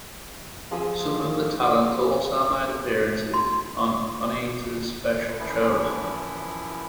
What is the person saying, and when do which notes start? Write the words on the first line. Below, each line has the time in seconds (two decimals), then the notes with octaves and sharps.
Some of the talent also made appearances on Onita's special shows.
0.71 F3 G#4 D#6 E6
3.34 C6
5.39 F#2 E3 F3 E4